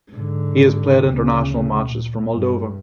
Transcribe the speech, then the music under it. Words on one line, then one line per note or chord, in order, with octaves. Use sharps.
He has played international matches for Moldova.
G#2 D3
D2 C#3
A#2
G2